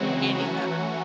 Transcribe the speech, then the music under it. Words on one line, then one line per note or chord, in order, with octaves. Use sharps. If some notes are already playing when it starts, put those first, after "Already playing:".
Any better.
Already playing: C#3 E3 F#3 G#3 C4 F#4
E3 F#3 A3 C#4 F#4